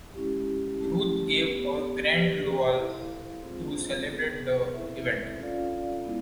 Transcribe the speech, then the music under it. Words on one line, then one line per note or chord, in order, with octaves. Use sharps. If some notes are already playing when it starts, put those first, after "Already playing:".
Ruth gave a grand luau to celebrate the event.
G#3 C#4 E4 G4
A3 C#4 E4 G4
B3 D#4 G4
A#3 D#4 G4 B4 D5
E4 A4 C5 F5
G#3 C4 F4 G#4 C5
B3 D#4 G#4 B4
C4 E4 A4 C5 E5
C#4 F4 A4 D5 F5
G#3 B3 E4